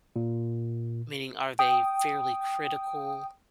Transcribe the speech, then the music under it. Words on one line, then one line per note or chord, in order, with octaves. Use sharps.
Meaning, are they fairly critical
A#2
G5 D#6